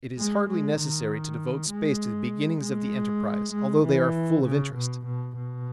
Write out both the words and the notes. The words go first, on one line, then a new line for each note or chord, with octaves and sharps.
It is hardly necessary to devote space to the beginnings of the enterprise, although they are full of interest.
G#3
G#3
D#3
G#3
G#3
G#3
E3
C#3
B2
B2
B2